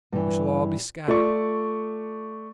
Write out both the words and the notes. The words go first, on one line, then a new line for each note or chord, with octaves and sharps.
We shall all be scattered.
G2 E3
A3 F4 D5 C#6